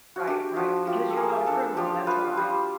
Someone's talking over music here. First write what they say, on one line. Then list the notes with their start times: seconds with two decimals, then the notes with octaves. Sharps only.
Right, right, because you're not a criminal, that's why.
0.16 F#4
0.27 D4 G4
0.56 F3 F#4
0.87 F4 G4
1.10 A4
1.16 A#3 G#4
1.46 D4 A4
1.77 F3 G4
2.07 F4 B4
2.37 G3 C5